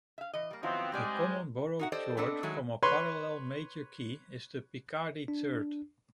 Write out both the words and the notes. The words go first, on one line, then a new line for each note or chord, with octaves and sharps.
A common borrowed chord from a parallel major key is the Picardy third.
E5 F5
E3 D#5
G3 A#3
D#3 F3 F#3 B3 C4 E4
G#2 G3 G#3 C4 G4 D5
D#4 F#4 F#5
G4 A4 C5 D5 D#5
B3 C4 D4 A4 D5 D#5
D#3 F#3 G#3 A3
B4 C#5 C6
D4